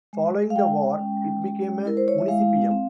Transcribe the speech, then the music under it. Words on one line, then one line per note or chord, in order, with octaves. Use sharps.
Following the war, it became a municipium.
G#3
F5
G#3 G5
C#4
G#3
E4 A#4
C5
C#5
E5
G#3 F5
C4